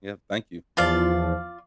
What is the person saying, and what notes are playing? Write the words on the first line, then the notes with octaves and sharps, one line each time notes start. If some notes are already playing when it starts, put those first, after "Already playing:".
Yeah, thank you.
E2 F3 F4 D5 F5